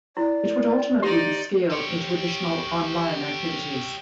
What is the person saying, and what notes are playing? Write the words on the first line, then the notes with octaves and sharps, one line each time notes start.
It would ultimately be scaled into additional online activities.
E4 D5
D#4 G4 D5
G4 C#5